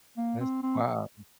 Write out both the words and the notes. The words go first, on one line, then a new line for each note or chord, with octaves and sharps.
That's wild.
A#3
C4
C4